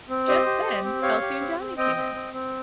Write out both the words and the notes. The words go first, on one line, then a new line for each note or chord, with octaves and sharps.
Just then Elsie and Johnnie came in.
C4
G4 C5 D#5
G4
G4
C4
G4 C#5 F5
G4
C4
C4
C4 D#5 G5
C4
C4
C4